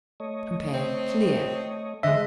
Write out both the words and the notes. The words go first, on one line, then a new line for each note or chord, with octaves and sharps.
Compare CLEAR.
A3 C#5 D#5
C4
D3 G#3 C5 D#5 E5